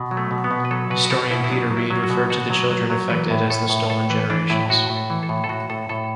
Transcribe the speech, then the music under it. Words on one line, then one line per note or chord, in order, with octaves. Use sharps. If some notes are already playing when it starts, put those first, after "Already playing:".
Historian Peter Read referred to the children affected as the "Stolen Generations".
Already playing: B2
F#3
A3
B2
B3
B2
B4
F#3 A4
B2 B4
F#4
B2 A4
B2 E4
E4
F#3 D4
F#3
E4
F#3
F#4
B2
B2 F#4
F#3
F#3
F#3
E3 B4
A2
A2 A4
A2
A2 A4
E3 B4
E3 D4
A2 E4
A2 F#4
A2
A4
E3
A4
A2
A4
A2 F#4
A2 A4
A2 A4